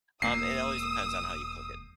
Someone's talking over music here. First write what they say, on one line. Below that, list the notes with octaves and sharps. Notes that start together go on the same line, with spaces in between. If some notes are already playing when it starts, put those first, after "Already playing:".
um, it always depends on how you cook it.
E1 A#3 D#6 E6 C7